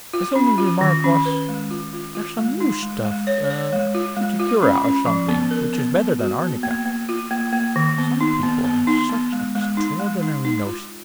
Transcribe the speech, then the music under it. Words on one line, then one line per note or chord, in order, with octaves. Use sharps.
His only remark was, "There's some new stuff, cuticura or something, which is better than arnica." Some people have such extraordinary notions of humor.
F4
C#4
F4
D#3
C#4
B4
G#3
F4
F4
F4
G#3
D#4
G#3
G#3
C#5
C#5
G#3
F4
G#3
F4
C#4
C#4
F3
B3
A#4
B3
B3
F#4
B3
A#3
A#3
F4
A#3
A#3
D#3
B3
D#4
B3
B3
D#4
B3
G#3
G#3
D#4
G#3
D#4
D#4
F4